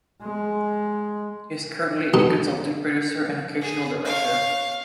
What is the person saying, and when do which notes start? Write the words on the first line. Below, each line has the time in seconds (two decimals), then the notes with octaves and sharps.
He is currently a consulting producer and occasional director.
0.23 G#3
2.14 B2 D#4
3.61 G#4
4.05 C#5 F5